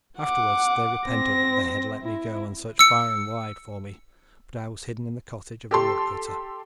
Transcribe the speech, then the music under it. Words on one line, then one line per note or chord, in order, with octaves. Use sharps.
Afterwards they repented that they had let me go, and searched far and wide for me; but I was hidden in the cottage of a woodcutter.
F#5 D6
C4 A#6
E4
E6 C#7
G4 A4 C6